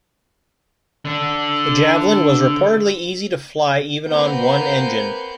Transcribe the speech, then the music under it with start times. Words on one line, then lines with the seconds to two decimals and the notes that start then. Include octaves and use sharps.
The Javelin was reportedly easy to fly even on one engine.
1.05 D3 D4
4.06 A#3 C4 B4 F#5 G6